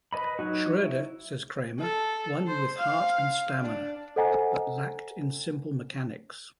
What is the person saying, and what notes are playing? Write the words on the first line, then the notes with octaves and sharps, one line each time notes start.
Schroeder, says Kramer, won with heart and stamina, but lacked in the simple mechanics.
B4 D#5 B5
F#3 D#4 F#4
E4
A4
C5
F5
D4
A4 C5 D#5 F#5 G#5 A#5